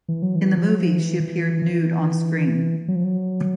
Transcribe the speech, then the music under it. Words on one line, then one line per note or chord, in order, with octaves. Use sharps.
In the movie, she appeared nude on-screen.
E3
F#3
E3
F3
F#3
F3
E3
E3
E3
F#3
F3
F#3